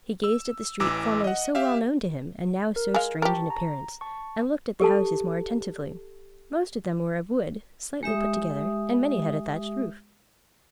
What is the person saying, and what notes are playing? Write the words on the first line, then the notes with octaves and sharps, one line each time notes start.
He gazed at the street formerly so well known to him, and now so strange in appearance, and looked at the houses more attentively: most of them were of wood, slightly put together; and many had a thatched roof.
E6
A1 E3 D6 E6
D#5 F#5
G4 E5 F5
A#4
G#3 F5
G4 A#4 A5 C#6
A#5
A5 C#6
G4 A4 A5
G#3 G4 E5 D#6